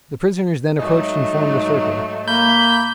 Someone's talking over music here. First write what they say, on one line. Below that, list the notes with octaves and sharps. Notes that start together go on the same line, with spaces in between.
The prisoners then approached and formed a circle.
G#2 F#3 A3 D#4
A#3 B5 G6